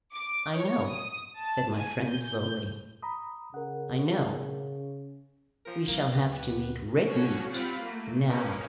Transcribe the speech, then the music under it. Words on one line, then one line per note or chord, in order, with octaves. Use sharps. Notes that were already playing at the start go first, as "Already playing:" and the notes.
"I know," said my friend slowly; "I know--We shall have to eat red meat--now."
D6
C#5
D#6
A5
G#5
G6
A#5 B5 D#6
C#3 A#4 F#5
A#2 F3 A#4
F#3 A#3 C4
D2 F#4 G4 B4
D3 F3 F#3 C#4 F#4 C#5
G3 C4 F4 F5 F#5 B5
A3 A#3
A#3 C#4 D#4 A#4 B4